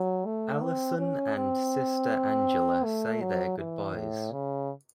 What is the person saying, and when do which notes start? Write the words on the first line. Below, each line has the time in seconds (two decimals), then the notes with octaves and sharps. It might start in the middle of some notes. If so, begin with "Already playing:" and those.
Allison and Sister Angela say their goodbyes.
Already playing: F#3
0.25 A3
0.62 C4
0.99 C#4
1.36 C4
2.84 A3
3.21 F#3
3.58 E3
3.95 A2
4.32 C#3